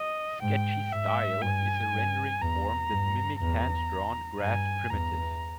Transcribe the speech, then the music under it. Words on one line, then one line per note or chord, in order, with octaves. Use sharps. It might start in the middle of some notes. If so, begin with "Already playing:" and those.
Sketchy style is a rendering form that mimic hand-drawn graph primitive.
Already playing: D#5
G#2 G5
G#2 E5
G2 G#5
G2
E2 A#5
G2
E2 A#5
G2 G#5
E2 A#5